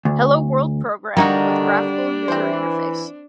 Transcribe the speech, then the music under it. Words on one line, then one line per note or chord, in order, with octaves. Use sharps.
Hello world program with graphical user interface.
D2
D3 D#3 G3 A#3 D4 D#4 F#4
E3 C4 C5